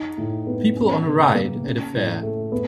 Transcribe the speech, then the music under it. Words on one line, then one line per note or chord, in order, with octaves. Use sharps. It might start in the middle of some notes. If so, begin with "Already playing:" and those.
People on a ride at a fair.
Already playing: D#4
A2
B3
C#4
C#3
A#3
C#4
A2
A3
B3